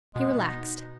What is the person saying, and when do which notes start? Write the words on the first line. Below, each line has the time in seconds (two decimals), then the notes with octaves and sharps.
He relaxed.
0.15 B2 G#3 B3
0.38 B3 D#4